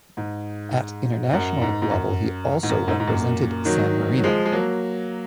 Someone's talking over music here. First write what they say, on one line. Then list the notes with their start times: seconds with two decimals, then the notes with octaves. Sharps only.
At international level, he also represented San Marino.
0.17 G#2
1.33 F#2
1.61 G#2
1.82 G#2
1.91 F#2
2.63 G#2
2.69 F#2
2.88 G#2
3.00 G#2
3.07 F#2 A#2
3.65 D#3 F#3
4.18 F#3
4.23 F3 G#3
4.45 G#3
4.52 F#3 A#3